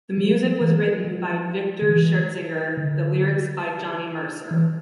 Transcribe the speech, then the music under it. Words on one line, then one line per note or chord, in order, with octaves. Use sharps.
The music was written by Victor Schertzinger, the lyrics by Johnny Mercer.
F3
E3
F3
D3
E3
D3
E3